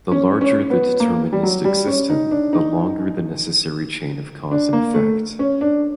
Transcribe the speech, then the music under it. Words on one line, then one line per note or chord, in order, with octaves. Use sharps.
The larger the deterministic system, the longer the necessary chain of cause and effect.
C#4
C#4
B3
A#3
G3
F#3
G3
C#4
D#4
D4
D#4
D4
A#3
A3
C#4
D4